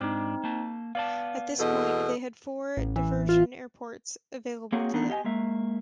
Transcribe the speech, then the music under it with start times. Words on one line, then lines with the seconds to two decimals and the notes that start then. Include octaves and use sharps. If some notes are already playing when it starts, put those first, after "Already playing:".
At this point they had four diversion airports available to them.
0.01 G#2 C4 D4 D#4
0.44 A#3 A5
0.95 B3 D5 F5 A5
1.60 E2 B2 A4 D#5
2.77 A1
2.96 E3
3.29 F4
4.72 A#3 C4 F#4 G#4 C#5 F#5
4.94 E3 A3 B3 C4 D4 D#4
5.09 G4 D#5 F5 G#5
5.24 G#3 A#3 E5